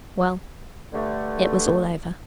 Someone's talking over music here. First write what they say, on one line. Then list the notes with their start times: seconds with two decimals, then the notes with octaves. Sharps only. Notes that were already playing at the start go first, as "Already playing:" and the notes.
Well; it was all over....
0.93 G2 D3 A3